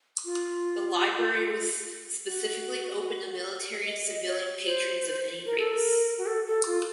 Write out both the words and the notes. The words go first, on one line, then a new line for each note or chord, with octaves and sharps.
The library was specifically open to military and civilian patrons of any race.
F4
F#4
D#5
D#5
C#5
C5
A#4
A4
A#4
F#4
A4
A4
F4